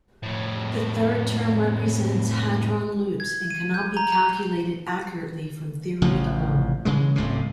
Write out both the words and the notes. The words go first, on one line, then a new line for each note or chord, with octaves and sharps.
The third term represents hadron loops, and cannot be calculated accurately from theory alone.
F2 A2
G#6
D#7
G6
A#5
A#5
A1 C#3 F3
C#3 E3 G#3
D1 C#2 A2 C3